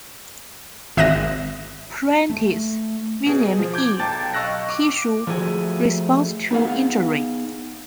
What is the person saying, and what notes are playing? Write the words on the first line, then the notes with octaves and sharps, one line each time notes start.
Prentice, William E. Tissue Response to Injury.
G#1 E5 D#6 F#6 A#6 E7
A3
B2 G#4
F3
D6 G6 G#6
B1 G5 A5 A6
D#5 F5 C#6 E6 F#6 A#6
D6
F3 A3 F#4 G#4
B3 D#4 G#4 F5 F#5